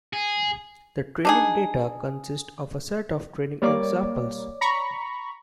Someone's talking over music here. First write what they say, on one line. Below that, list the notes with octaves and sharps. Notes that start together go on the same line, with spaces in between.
The training data consist of a set of "training examples".
G#4
D4 D#4 G#4
G3 A#3 C#5 D5 D6
A#5 B5 C#6